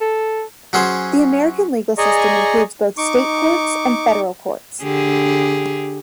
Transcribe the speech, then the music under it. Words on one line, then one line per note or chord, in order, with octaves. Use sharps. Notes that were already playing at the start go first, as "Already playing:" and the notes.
The American legal system includes both state courts and federal courts.
A4
F#3 C#4 G#4 C5
G#4 D5 D#5 G#5 A#5 C#6
D#4 C#6 D6
D3 G4 G#4